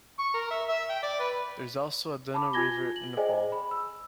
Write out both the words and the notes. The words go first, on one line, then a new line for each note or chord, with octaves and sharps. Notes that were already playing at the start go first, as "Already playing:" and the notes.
There is also a Danu river in Nepal.
C#6
A#4
E5
E5
G5
D5
B4
A5 B5 D6
F4 G#5 G#6 A#6 G7
F#7
G#4 C5 D5 D#5 G5 G#5
B5
E6